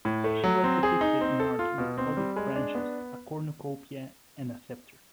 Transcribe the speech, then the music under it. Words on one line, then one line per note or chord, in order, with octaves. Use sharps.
She was depicted in art with olive branches, a cornucopia and a scepter.
A2
A3
F#3
C4
G#4
D#4
C4
A4
F4
B2
C4
G3
G#3
D4
B3